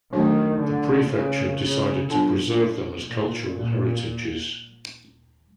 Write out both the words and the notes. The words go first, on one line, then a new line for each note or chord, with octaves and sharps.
The prefecture decided to preserve them as cultural heritages.
D#3 F#3 A3 D4 F#4 A4
D3
C#3
C#3
B2 F#3 B3 D4 F4 A4
A#2
A#2